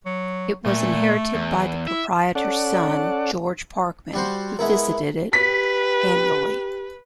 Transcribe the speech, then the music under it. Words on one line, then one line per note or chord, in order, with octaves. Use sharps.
It was inherited by the proprietor's son, George Parkman, who visited it annually.
F#3
A#2 A3
E2
E4 E5
C#4 A4 D5 F#5
G3 F#4 C5
G#3 B3 E4 A#4 E5
G4 B4 B6